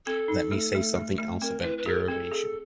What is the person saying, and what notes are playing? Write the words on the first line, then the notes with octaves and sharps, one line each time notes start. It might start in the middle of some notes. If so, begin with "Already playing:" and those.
Let me say something else about derivation.
C4 A4
D#4
A3
A3
A3
A3
C4 A#4
E4 B4
B4
G#4 A#4
C4 A4
G#4